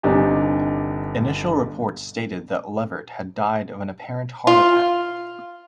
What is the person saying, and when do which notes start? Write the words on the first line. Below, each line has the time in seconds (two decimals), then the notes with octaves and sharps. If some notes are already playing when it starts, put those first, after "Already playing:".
Initial reports stated that Levert had died of an apparent heart attack.
0.03 G1 C3 D4 D#4 G4 G#5
4.47 F4